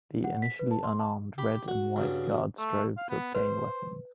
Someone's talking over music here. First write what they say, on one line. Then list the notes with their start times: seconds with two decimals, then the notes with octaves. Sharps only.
The initially unarmed Red and White Guards strove to obtain weapons.
0.24 F#5
0.42 B6
0.59 B4
0.71 A5
0.84 C6
0.99 A5
1.38 G4 B5
1.68 F#4
1.96 G2 C#3 F#3
2.58 A3
2.98 F5
3.09 B3
3.35 B4 C5